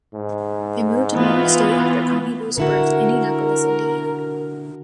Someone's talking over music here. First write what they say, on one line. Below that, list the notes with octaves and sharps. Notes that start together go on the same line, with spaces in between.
They moved to New York state after Connie Booth's birth in Indianapolis, Indiana.
G#2
E3 B3 F4
D3 E4 F#4 A#4